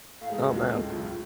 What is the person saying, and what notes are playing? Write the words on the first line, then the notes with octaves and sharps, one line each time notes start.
Oh man.
A2 A3 F5
G#2 G#3 G#4
D2 D3 F#4
C#2 C#3 F4
A2
A2
B1 B2
A2